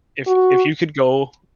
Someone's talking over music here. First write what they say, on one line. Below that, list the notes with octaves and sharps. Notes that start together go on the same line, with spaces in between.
if if you could go
F#4